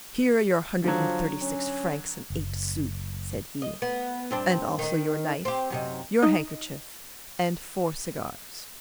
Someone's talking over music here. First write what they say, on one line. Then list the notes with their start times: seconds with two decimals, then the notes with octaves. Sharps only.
"Here are your hundred and thirty-six francs and eight sous," said he, "and also your knife, your handkerchief, and four cigars."
0.84 D3 F3 F#3
1.42 C#4
2.30 F#1
3.62 D#5
3.82 B3
4.31 G2 C4 D4
4.79 D#3 D#4
5.45 C4 G4
5.70 F#2 C3 D#4
6.22 D#4 D#5